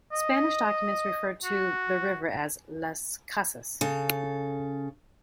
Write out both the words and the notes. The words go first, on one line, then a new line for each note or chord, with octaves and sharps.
Spanish documents referred to the river as Las Casas.
D#5
F#4
C#3 A4